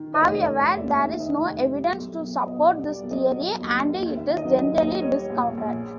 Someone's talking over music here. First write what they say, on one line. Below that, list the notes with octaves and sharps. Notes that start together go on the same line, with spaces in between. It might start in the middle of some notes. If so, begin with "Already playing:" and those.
However, there is no evidence to support this theory and it is generally discounted.
Already playing: D#3
D#5
F1
C#5
F1
D5
D#2 E5
E5
D#3
D#5
F1
E5
G3
B1
B1
B2 D#5
D5
G3
D5
B1
D#5
F#3
D#2
D#2
D#3 E5
D#5
F#3
D#5
D#2
D#5
G3 C#5
A#1
A#1